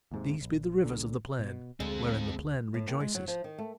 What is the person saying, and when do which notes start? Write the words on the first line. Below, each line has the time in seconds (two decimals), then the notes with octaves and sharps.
These be the rivers of the plain, wherein the plain rejoices.
0.12 D#2 G#2 C3
0.41 A#1
0.84 C2 A#2 D3
1.39 B2
1.80 D2 G#3 C4 A4
2.74 A2
2.88 D#2
3.00 G#3
3.15 F#3
3.28 F3
3.44 D#3
3.58 A3